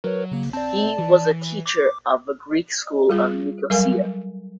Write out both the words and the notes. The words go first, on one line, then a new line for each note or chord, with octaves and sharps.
He was a teacher of the Greek School of Nicosia.
F#3 A#4 B4 C#5
C#3 A#3
C4 D5 A5
E3
D6
G3 F4 G#4
F#3 G3 A4 A#4 F5 G#5